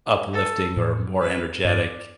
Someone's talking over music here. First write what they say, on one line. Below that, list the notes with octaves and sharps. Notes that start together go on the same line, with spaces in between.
uplifting or more energetic.
A4
A2
B4
G2 D5